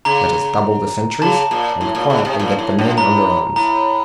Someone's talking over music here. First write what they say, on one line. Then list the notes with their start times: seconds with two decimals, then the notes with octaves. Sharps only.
Let us double the sentries, and quietly get the men under arms.
0.05 C#3 A#5
1.22 C#3 A5
1.51 A#2
1.81 A2
1.95 A#2
2.10 C#3
2.25 C3
2.39 A#2
2.59 A2
2.79 F#2
2.97 A2 A#5
3.56 A2 A#5